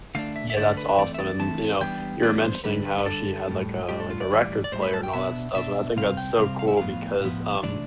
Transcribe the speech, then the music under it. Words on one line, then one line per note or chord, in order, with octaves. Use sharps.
Yeah, that's awesome, and, you know, you were mentioning how she had, like, a like, a record player and all that stuff, and I think that's so cool because, um,
D3 A3 D4 F5
E5
E5
D3 A3 D4 D5
B4
E3 A3 C4 D5
E5
D5
E3 A3 C4 A5
E3 G3 B3 D4 G5
E3 G3 B3 D4 D5
C5
D3 G3 D4 B4
B4
B4
D3 G3 D4 A4
A2 G3 D4
A2 G3 D4 G4
A4
F4
D5
A2 E3 G3
D5
A2 E3 G3 C5
B4
A5
G5
B2 B3 D4 E5
B2 B3 D4 E5
C3 G3 C4 F5
G5
C3 G3 C4 F5
F5
E5
A2 F3 B3 F5
A2 F3 B3
C3 E3 A3 D4 D5